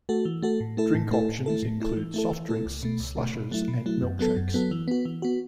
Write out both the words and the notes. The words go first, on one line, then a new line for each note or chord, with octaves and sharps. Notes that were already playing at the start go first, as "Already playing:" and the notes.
Drink options include soft drinks, slushes, and milkshakes.
A3 F#4 A4
E3
A3 F#4 A4
A2
A3 E4 A4
A2
A3 E4 A4
A2
A3 E4 A4
A2
A3 E4 A4
E3
A3 E4 A4
E3
A3 E4 A4
C#2
B2 A3
C#2
B2 A3
B2
F#3 A3 E4
B2
F#3 A3 E4
F#2
F#3 B3 A4
F#2
F#3 B3 A4
E3
B3 F#4
E3
B3 F#4